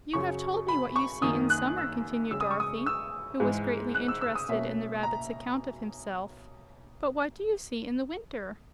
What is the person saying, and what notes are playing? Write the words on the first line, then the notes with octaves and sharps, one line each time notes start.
"You have told me what you see in summer," continued Dorothy, who was greatly interested in the rabbit's account of himself, "but what do you see in the winter?"
F#2 C#3 F#3 C#6
B5
C#6
F#2 D#3 A#3 D#6
F#6
E6
C#3 G#3 C#4 E6
D#6
C#6
D#6
E6
G#2 E3 G#3
F#6
E6
E6
D#6
B2 A#3 C#4 E5
A#5